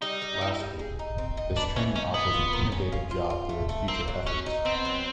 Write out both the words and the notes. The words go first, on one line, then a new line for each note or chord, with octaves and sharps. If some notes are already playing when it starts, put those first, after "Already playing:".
Lastly, this training offers an innovative job through its future efforts.
G3 D#4
G3
E4
G3
G#4
D#4
C4
D#4
B3 D4
E3 C#4
C#4 D#4
E3 B3
F4
A#3
C#4
F4
F4
F4
A3
A3
A#3 C4
F#3
F#3 C#4
D#4
B3 C4
F#3